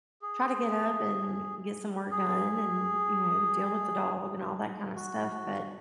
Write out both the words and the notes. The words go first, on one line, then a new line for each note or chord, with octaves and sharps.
try to get up and get some work done and, you know, deal with the dog and all that kind of stuff, but
G#4
G#4
F#4